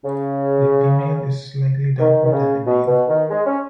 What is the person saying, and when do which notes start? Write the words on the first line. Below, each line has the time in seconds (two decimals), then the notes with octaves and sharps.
The female is slightly darker than the male.
0.04 C#3
1.99 D#3
2.24 D#3
2.31 C#3
2.65 B2
2.86 B2
3.07 D#3
3.29 G#3
3.45 C#4